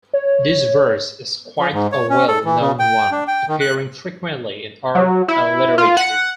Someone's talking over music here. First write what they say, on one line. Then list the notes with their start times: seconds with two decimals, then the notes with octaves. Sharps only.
This verse is quite a well known one, appearing frequently in art and literature.
0.13 C#5
1.59 F3
1.73 G#2
1.92 C#5
2.10 C#4
2.28 A4
2.45 E3
2.60 C#3
2.79 G5
3.11 D4
3.28 G5
3.48 D#3
3.61 F#6
4.95 F#3
5.28 E4
5.78 F4
5.97 F#5